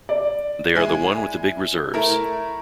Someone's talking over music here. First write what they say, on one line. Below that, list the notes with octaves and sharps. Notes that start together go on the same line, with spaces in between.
They are the one with the big reserves.
D5
G#3 E4 G#5
A3 E4 A#4